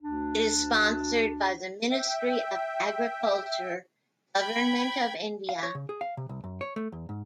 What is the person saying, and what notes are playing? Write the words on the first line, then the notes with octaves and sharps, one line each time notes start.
It is sponsored by the Ministry of Agriculture, Government of India.
D2 D4
E5 G5
G5 B5 G#6
F5
C#5
C#3
G#4
F5
C3
C2
F#2
C#5
A3
E2
G#2